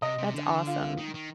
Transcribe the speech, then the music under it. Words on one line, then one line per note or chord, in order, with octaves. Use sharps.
That's awesome.
C3 D#5
C3
D3
F4
D#3
D#3